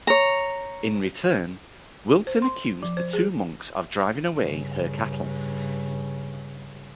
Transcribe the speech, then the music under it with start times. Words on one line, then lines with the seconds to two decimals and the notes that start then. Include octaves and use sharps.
In return Wilton accused the two monks of driving away her cattle.
0.07 C#5 A#5
2.27 C5
2.42 C6
2.82 F3
2.97 C5
3.13 G#4
4.34 G2 C#3